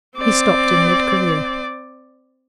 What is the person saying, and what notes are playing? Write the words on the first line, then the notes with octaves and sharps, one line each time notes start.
He stopped in mid career.
C4 D5